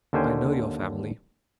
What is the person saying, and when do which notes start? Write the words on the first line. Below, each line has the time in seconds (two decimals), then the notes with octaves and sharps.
I know your family.
0.13 D#2 D3 C#4 C5 G5 G#5